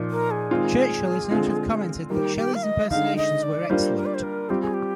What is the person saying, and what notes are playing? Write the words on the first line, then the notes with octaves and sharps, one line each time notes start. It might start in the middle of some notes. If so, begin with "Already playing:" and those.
Churchill is known to have commented that Shelley's impersonations were excellent.
Already playing: A#2 F3 A#3 D#4
A#4
G#4
D#3 G#3 C4 F4
D3 G#3 C4 F4
D#3 G3 A#3 G4
G4
F5
D#5
D3 G#3 D#4 F5
D#5
D5
G3 A#3 D4 F4 C5
A#4
D5
C5
A#4
G3 C4 F4 G4
G#4
G4